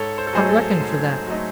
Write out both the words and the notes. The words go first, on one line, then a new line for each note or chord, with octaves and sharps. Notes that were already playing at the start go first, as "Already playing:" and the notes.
'I've reckoned for that.
Already playing: G#2 A4 C#5
C5
A4
F#3 A3 D#4 G#4 C5
A4
G#2
F#3 A3 D#4